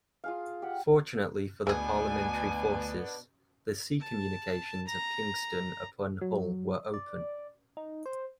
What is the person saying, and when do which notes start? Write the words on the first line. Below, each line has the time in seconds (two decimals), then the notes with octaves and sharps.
Fortunately for the Parliamentary forces, the sea communications of Kingston upon Hull were open.
0.24 F4 G#4 F5
0.62 G4 F#5
1.67 D2 B2 G#3 B3 D4 G#4 G#5
4.00 A5
4.87 A#5
6.21 F#3
6.94 D5
7.77 D#4
8.06 C5